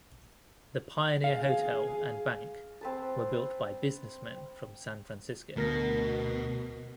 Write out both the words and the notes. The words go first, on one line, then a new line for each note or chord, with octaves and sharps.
The Pioneer Hotel and Bank were built by businessmen from San Francisco.
G#4 F5
C4 B4 A5
D2 B2 A#4 A#6